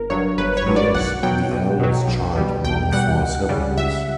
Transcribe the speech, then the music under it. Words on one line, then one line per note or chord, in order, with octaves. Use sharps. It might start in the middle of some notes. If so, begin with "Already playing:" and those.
He is the eldest child among four siblings.
Already playing: G1 A#4
G2 F#3 C#5
G1 B4
C#5
G2 F#3
D5
B1 F#5
B2 F#3 G5
B1
B2 F#3
B1
B2 G3
B1 G5
B2 G3 F#5
C#2
C#3 G3
C#2 E5